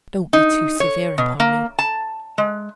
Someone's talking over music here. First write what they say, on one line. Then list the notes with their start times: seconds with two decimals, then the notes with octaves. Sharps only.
Don't be too severe upon me.
0.33 D#4
0.80 C#5
1.18 B2
1.40 A#3
1.79 A5
2.38 G#3